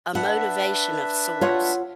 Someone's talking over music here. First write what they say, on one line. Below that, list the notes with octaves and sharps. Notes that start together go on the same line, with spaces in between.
a motivation of sorts,
D4 B4 E5 F#5
F4 C#5 F#5